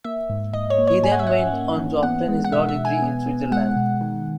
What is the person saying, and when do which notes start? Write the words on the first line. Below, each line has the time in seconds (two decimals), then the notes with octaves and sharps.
He then went on to obtain his law degree in Switzerland.
0.04 A#3 E5
0.30 G#2
0.53 G#2 D#5
0.70 C#5
0.78 A#3
0.87 C#5
1.03 G#2 G#5
1.12 F#5
1.19 E5
1.27 C#4 F#5
1.53 A#3
1.77 E3
2.03 B3 F#5
2.28 G#3
2.44 F#5
2.52 B2 E5
2.69 E5
2.77 B2
2.85 G#5
3.02 B3
3.26 B3
3.52 G#3 F#5
3.76 B2
4.01 D#3